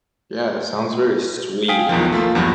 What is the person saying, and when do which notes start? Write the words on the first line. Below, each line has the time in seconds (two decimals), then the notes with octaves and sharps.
Yeah, it sounds very sweet.
1.68 F5 G5 G#5 D#6 B6 D7
1.89 B1 E2 D#3 F3
2.12 A3 A#3 F4
2.35 E2 G2 F3 F#3